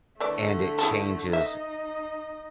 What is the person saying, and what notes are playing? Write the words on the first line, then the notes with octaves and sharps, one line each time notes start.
and it changes
D3 E3 A3 E4 D5
E4 G#4 A4
D#4 D#5 E5